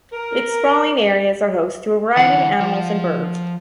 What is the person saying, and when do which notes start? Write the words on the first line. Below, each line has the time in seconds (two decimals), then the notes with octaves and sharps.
Its sprawling areas are host to a variety of animals and birds.
0.12 A#4
2.17 D3 E3 F#5
2.60 F3